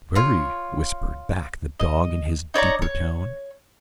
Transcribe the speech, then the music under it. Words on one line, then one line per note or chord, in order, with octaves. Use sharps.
"Very," whispered back the dog in his deeper tone.
F4 C#5
D#5
D#4 C#5 D5 A#5
C#5